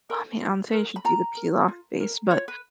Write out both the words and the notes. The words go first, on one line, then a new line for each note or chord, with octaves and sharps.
I mean, I'm say you should do the peel off base, but
A#4
F4
A#4
B5
F4 A#5
A#4
F4
A#4
F4 C#5
B4